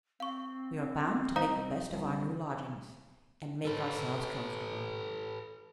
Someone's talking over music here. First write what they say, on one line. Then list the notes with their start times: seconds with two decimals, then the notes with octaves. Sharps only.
We are bound to make the best of our new lodgings, and make ourselves comfortable.
0.20 C4 F5 C#6
1.36 C2 D#4 C5 F5 A#5
1.93 C2
3.65 A4 B4